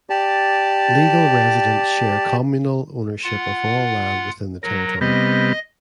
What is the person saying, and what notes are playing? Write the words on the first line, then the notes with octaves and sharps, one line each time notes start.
Legal residents share communal ownership of all land within the Territory.
G4 D5 A5
F4 F#5
F#3 A#4
C3 G3 B3 D#5